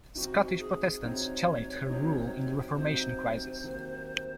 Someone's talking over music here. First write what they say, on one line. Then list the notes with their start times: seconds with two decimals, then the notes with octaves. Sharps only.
Scottish Protestants challenged her rule in the Reformation Crisis.
0.15 C3 F#3 C4 D#4 F#4
0.52 F#4
0.59 G#4
1.02 C3 F#3 C4 D#4 C#5
1.89 C3 F#3 C4 D#4
2.76 C3 F#3 C4 D#4 C5
3.62 C3 D#3 F#3 A#3